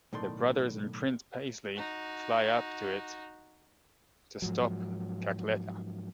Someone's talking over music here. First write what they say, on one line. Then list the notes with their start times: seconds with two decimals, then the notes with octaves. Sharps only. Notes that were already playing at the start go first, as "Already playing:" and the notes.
The brothers and Prince Peasley fly up to it to stop Cackletta.
0.13 B1 A2 D#3 D5 C6
1.76 D#4 F#4
4.42 G#2 F3 F#3